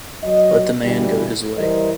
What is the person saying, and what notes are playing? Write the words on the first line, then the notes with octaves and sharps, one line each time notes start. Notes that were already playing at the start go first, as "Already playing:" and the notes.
Let the man go his way'.
F#3 D#5
B2 D3 E3 G3
E3 G3 A#4 C5 D#5